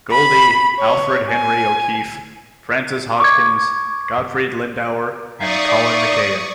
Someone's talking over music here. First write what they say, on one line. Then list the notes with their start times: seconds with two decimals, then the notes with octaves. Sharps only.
Goldie, Alfred Henry O'Keeffe, Frances Hodgkins, Gottfried Lindauer and Colin McCahon.
0.11 B5
0.80 C#5
1.30 G#5
3.20 C#6 D6 G#6
5.40 D#4 D5 E5 F5 C#6 D#6